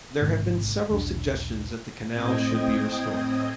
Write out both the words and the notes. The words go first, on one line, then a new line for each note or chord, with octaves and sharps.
There have been several suggestions that the canal should be restored.
A1 G#2 C3
E1 B1 D4
A2 C4 D#5 G5 D#6 G#6